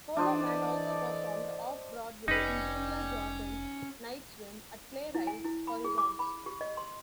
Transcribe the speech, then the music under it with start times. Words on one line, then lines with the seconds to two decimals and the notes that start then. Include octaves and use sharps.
Holloman also performed off-Broadway in Julia Jordan's "Night Swim" at Playwright's Horizons.
0.17 E3 D4 A4 C5 D5 D#5
2.28 F1 G3 C#4 D#4 B4
5.15 E4
5.27 G#5
5.45 E4
5.67 B5
5.84 G#4
5.98 D6
6.19 B5
6.46 G4
6.61 D#5
6.77 C6